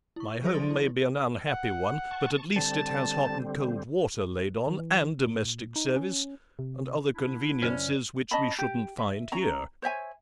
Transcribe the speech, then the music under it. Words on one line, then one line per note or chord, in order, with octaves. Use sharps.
My home may be an unhappy one, but at least it has hot and cold water laid on, and domestic service, and other conveniences which we shouldn't find here.
E4 C#6
F3 F#3 G#4 C5 D#6 A#6
E3 D5 C6 A6
E4
F#5
A5 C#6
D3 G3 C4 A5
D#3
E3
A#2
D#4
C#4
C3
D3 D4 E4
F#2 C#3 C#4 C5 D5
C#4 D#5 A5 B5
G4
E5
C#4 A#5
C5 C#5 E5 G#5